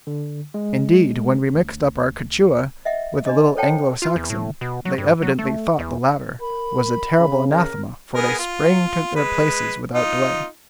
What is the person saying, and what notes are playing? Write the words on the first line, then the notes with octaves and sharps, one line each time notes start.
Indeed, when we mixed up our Quichua with a little Anglo-Saxon, they evidently thought the latter was a terrible anathema, for they sprang to their places without delay.
D3
G#3
D2
D#5 E5 F#5
D4 D#5
A4 C5 C#5 F#5 G5 A5
F4
E2
A2
B2
F#3
G2
F#3
A3
E2
A#4 B5
C#3
A#4
B3 G#4 A#4
F4
G#3 B4
D#4 F4